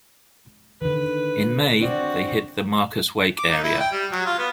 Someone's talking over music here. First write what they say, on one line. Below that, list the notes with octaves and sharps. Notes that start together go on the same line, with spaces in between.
In May they hit the Marcus-Wake area.
D3 D#3 B4
C4 D4 F#4 D5
D6
D#4
E4
G5
G3
F#3
F4
B3